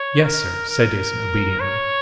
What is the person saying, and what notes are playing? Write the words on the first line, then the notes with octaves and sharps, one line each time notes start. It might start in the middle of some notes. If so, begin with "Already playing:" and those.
"Yes, sir," said Jason obediently.
Already playing: C#5
A#4
A#4
C#5